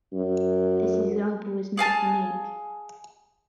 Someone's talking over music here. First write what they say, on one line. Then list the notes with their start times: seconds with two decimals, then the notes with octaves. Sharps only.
This example is not unique.
0.14 F#2
1.77 G#4 F5 G#5 A5